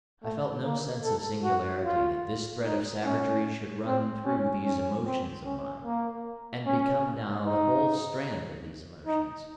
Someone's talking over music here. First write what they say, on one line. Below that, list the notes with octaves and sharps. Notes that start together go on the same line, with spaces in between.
I felt no sense of singularity that this thread of savagery should run through these emotions of mine and become now the whole strand of these emotions.
A3
A#3
A4
F#4
F4
D#4
C#4
C4
C#4
C#4
C4
C#4
A#3
C#4
D#4
D#4